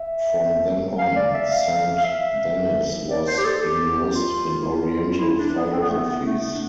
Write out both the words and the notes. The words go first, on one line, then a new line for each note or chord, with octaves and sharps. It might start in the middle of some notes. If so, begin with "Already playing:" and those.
From then on, Saint Denis was immersed in Oriental philosophies.
Already playing: E5
F5
D5
E5
F5
F5
E5
D5
C5
G4
A4
G4
F4
E4
F4
F4
E4
D4
B3
C4
B3
A3
B3
A3
B3
D4